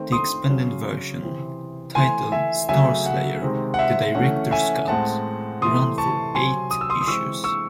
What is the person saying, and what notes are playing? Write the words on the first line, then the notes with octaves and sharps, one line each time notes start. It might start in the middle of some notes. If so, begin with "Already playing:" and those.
The expanded version, titled "Starslayer: The Director's Cut", ran for eight issues.
Already playing: D#3 A3 C4
C6 D#6
C#3 F#3 C#4
C3 E3 C4
E3 A3 C4 G#5 C6
E5 G#5
C#3 F#3 A3 E5 G#5
F#5
C3 D#3 G#3 C4
F#5
E5
E3 A3 C#4 F#5
E5 G#5
A2 G#3 C4 F#5 A5
C3 E3 A3 C6 D#6
A5 C#6
C3 F#3 C4 G#5 C6
D#6
E6
C6 D#6
D#6
E3 G#3 C4 C#6 E6
C#6 E6